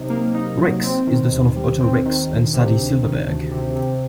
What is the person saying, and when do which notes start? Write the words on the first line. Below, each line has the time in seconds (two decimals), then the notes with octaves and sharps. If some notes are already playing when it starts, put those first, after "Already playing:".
Rix is the son of Otto Rix and Sadie Silverberg.
Already playing: C3 F#3 D#4
0.10 A#3
0.35 D#4
0.59 F#3
0.83 C4
1.07 D#3
1.32 D#2
1.56 G3
1.81 C4
2.06 D#3
2.29 D2
2.54 C3
2.78 D2
3.03 D#3
3.27 D2
3.51 C3
3.76 C3